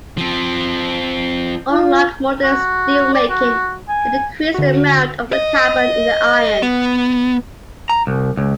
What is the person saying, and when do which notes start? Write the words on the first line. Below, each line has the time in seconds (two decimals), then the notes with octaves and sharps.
Unlike modern steelmaking, it increased the amount of carbon in the iron.
0.17 F3 C4
1.71 F4
2.43 F#4
3.14 D5
3.30 F#4
3.89 G#5
4.54 D3 F#4
5.33 D#5
6.63 B3
7.90 A#5
8.07 C2
8.37 C#2